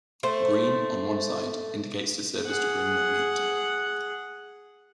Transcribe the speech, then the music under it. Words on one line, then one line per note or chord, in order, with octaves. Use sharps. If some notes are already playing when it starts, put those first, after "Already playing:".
Green, on one side, indicates to servers to bring more meat.
A3 C5
G#4 F#5